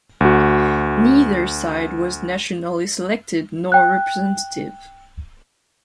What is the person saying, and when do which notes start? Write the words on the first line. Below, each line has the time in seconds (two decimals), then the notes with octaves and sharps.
Neither side was nationally selected, nor representative.
0.21 D2 F#4
3.72 G5 F#6